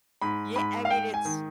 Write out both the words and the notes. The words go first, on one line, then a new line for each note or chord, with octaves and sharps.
Yeah, I mean, it's
G#2 B5
G#2 B5
F5
G#2 G5
G#5
D#3